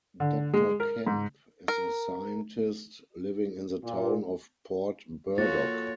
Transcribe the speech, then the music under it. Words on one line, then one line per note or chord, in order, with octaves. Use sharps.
Doctor Kemp is a scientist living in the town of Port Burdock.
D3
G#3
A#4
G#2
A#4
A#2
A#3 F4 F#4 A4 C#5 A6